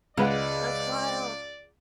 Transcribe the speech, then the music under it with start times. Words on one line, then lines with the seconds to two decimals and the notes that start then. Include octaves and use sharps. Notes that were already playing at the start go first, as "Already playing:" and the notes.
That's wild.
0.17 C#2 G#3 B4 D5 F#5